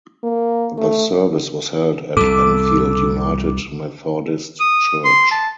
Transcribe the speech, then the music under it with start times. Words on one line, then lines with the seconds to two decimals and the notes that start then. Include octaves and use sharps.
The service was held at Enfield United Methodist Church.
0.24 A#3
0.78 A3
2.17 C2 F2 A4 D6
4.60 D#6
5.04 C6
5.31 A5